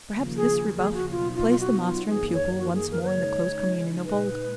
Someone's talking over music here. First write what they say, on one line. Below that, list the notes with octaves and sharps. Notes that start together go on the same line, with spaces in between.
Perhaps this rebuff placed the master and pupil once more in the close communion of old.
D#2 C#3 F3 A#3
G#4
G#4
F#4
B2 F#3 B3 D#4 F4
F4
F4
F#4
F4
F#2 D#3 A#3 G#4
C#5
F#4
G#4
A#4
B4
C#3 G#3 D#4 C#5
A#2 G#3 D#4 B4